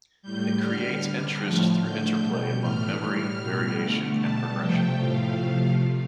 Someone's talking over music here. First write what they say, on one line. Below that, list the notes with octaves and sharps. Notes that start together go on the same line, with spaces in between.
It creates interest through interplay among "memory, variation, and progression".
A2 G3 G6
D3 G3 F6
D3 G3
A2 F3 A3
D3 A3 G6
B2 G3
A2 E3 A3 F6
A2 G3 F6
B2 G3
D3 A3
B2 G3 A5
C3 F3 A3 G5
A2 F3 A3 F5
C3 F3 A3